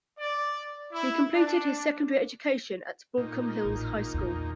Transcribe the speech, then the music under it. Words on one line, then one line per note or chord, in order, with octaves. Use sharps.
He completed his secondary education at Baulkham Hills High School.
D5
E4
D4
A#2 D#4
A1
E2